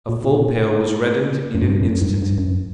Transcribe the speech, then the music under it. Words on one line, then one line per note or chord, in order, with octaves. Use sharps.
A full pail was reddened in an instant.
A#2
A#2
A#2
F#2
G2
F#2
G2
G2
F#2